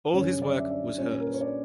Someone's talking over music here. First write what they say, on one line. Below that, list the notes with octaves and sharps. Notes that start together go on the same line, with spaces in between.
All his work was hers.
F#2 D3 G3 C#4 C#5
D4 D5
E5
D4 D5
A#2 G3 C#4 C#5
A#4
B4
C#5
D4 D5